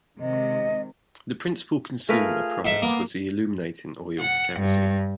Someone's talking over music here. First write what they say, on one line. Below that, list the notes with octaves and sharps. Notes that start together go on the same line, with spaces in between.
The principal consumer product was the illuminating oil kerosene.
C3 D#3 G#3 D#5
A3 F4 G#4 A#4 B4 F6
G#2 E5
A#3 B3 D6 D#6
F#5
G2